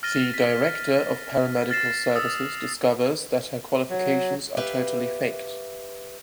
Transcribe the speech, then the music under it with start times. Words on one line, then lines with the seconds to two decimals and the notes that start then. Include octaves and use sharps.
Thee director of paramedical services discovers that her qualifications are totally faked.
0.03 F6 A6 A#6 D#7 G7
0.34 B6
1.70 F6 A6 A#6 C7 E7
2.15 D#6 E6 A6
3.90 F#3
4.57 G4 B4 E5 F5